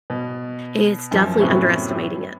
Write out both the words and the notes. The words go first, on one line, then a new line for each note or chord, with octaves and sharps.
It's definitely underestimating it.
B2
F#2 F3
F#2 A2 C3 F#3 B3 C#4